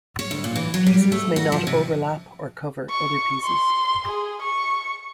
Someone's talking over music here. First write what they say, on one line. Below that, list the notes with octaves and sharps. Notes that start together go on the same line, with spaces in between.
Pieces may not overlap or cover other pieces.
C#5
D2
A#2
E3
F#3
G3
A3
F#4
F3
C3
C#6
C6
G#4
C#6